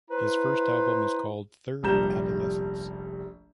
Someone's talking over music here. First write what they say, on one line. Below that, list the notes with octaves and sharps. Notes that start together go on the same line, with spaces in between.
His first album is called Third Adolescence.
E4 B4 C5 A#5
F1 A#1 G3 A#5 G6 E7